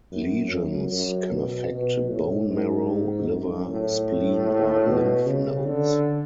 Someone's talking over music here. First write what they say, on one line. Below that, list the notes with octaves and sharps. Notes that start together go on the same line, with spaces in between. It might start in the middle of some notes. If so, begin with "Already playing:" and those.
Lesions can affect bone marrow, liver, spleen, or lymph nodes.
F#2
F#2
F#2
B2
B2
A2
G#2
F#2
A2
B2
C#3
D3